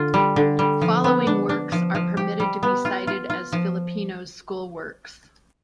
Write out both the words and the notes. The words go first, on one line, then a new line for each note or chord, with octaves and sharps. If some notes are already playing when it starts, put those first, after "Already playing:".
Following works are permitted to be cited as Filippino's schoolworks.
Already playing: D3 F4
G3
D3
G3
F3
B3
D4
D4
F3
F3
G4
G3
B3
F4
F4
F4
F3